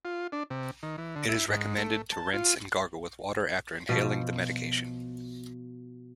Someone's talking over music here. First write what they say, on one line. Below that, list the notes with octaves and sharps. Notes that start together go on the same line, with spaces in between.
It is recommended to rinse and gargle with water after inhaling the medication.
F4
D4
C3
D#3
E3
D3
E4
G#2
A3
A5
F4
B2 F3